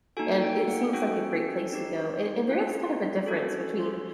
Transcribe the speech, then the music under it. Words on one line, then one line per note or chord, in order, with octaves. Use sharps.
And it seems like a great place to go. And and there is kind of a difference between
A#3 D#4 F#4 A4 G#5
G5
F#5
C#4 F#4 A4 G5
C4 D#4 G4
A3 C4 F4
C#4 F#4 A4